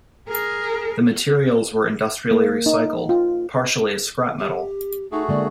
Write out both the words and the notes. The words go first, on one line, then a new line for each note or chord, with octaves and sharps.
The materials were industrially recycled, partially as scrap metal.
G#4 A#4
A#3
D#4
F4
G4
A3 D#4 F#4 G#4
D3 G#3 A#3 D5